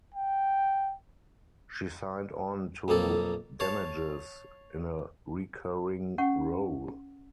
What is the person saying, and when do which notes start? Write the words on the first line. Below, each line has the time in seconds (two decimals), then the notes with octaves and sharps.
She signed on to "Damages" in a recurring role.
0.14 G5
2.88 B1 F2 A#3 A4
3.60 C#5 F5 A5
6.18 C#4 F#5 G5 C#6